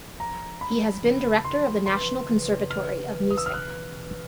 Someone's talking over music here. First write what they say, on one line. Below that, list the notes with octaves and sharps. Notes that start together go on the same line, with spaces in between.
He has been director of the National Conservatory of Music.
F3 A3 D4 A#5
F3 A3 D4 B5
C#3 F3 A#3 D#4 F#4
C#3 F3 A#3 D#4 F#4 C6
C#3 E3 A3 C#4 C6
C#3 E3 A3 C#4
E3 A3 C#4 F6
E3 A3 C#4
D#6
E6
F6
B2 G#3 C#4 F#6
B2 G#3 C#4